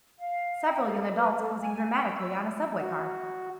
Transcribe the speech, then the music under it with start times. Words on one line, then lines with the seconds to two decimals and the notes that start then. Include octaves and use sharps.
Several young adults posing dramatically on a subway car.
0.20 F5
0.68 G5
0.85 A4
1.12 B4
1.38 A4
1.62 G#5
1.94 G5
2.17 E6
2.81 F#4